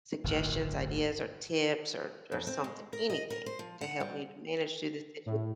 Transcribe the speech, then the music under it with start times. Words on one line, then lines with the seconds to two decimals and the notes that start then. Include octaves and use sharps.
suggestions, ideas, or tips, or or something, anything to help me to manage through this situ
0.24 D1 G1 D2
2.32 F2
2.47 C4
2.64 G#3
2.93 A#4
3.10 D#5
3.30 A#4
3.46 C5
3.59 F3
3.81 F#5
4.00 G3
5.26 A2